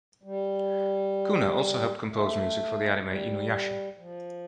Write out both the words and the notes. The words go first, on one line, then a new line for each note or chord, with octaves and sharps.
Cunnah also helped compose music for the anime "InuYasha".
G3
A3
G3
F3